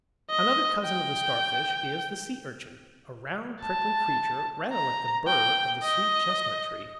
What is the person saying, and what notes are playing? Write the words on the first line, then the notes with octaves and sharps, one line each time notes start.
Another cousin of the Starfish is the Sea-urchin, a round prickly creature rather like the burr of the sweet-chestnut tree.
D#5
G5
A5
A#5
G5
D#5